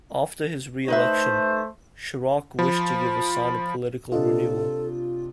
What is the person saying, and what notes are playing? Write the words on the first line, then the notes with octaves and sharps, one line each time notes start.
After his re-election, Chirac wished to give a sign of political renewal.
A3 D#4 B4 C5 E5
F3 B5
C3 D4 F4 A4 D#5